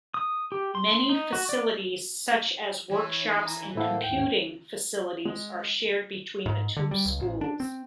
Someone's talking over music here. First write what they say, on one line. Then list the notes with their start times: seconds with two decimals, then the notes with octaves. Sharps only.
Many facilities such as workshops and computing facilities are shared between the two schools.
0.14 D#6
0.52 G4
0.75 C6
1.09 D#4
1.33 F#4
1.49 D5
2.91 E3 C#5
3.23 D#4
3.46 A#5
3.75 A2 A#3 E4 A4 C5 F#5
4.03 D#2 G#2 G5
5.25 G#3
6.46 G#2
6.76 D3
6.91 G3
7.05 C#2
7.20 A1
7.41 D4
7.60 C4